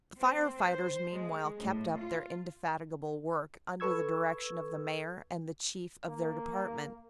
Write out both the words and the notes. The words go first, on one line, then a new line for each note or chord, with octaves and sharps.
The fire-fighters meanwhile kept up their indefatigable work under the direction of the Mayor and the chief of their department.
C4
C5
G#3
A2
F4
A4 B4 C#6 E6 G#6
A#3